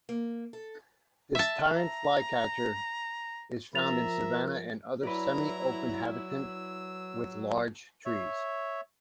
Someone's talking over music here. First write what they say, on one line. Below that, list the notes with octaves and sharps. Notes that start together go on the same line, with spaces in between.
This tyrant flycatcher is found in savannah and other semi-open habitat with large trees.
A#3
A4
E5 A5
A#5
F3 A#4 E5 A#5 A6 F7
F#3 E4 B4 D5 A#5
E6
C#5 E5